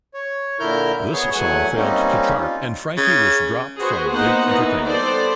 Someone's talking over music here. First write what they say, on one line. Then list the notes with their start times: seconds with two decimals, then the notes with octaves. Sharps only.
This song failed to chart, and Frankee was dropped from Big Entertainment.
0.14 C#5
0.60 A#2 D3 E4 A#4 F6 G6
1.12 B3 G#4 C#5
1.35 E2 F#3 A3 F#5 G#5
1.76 G3 A#3 C4 C#4 D#4
2.40 F4
2.97 C#3
3.78 F#4 G#4 B4 C5
4.09 A#3 B3 D#4 C5 F#5
4.47 E3 A#3 B3 D#4
4.86 G3 B3 A4 C5 D5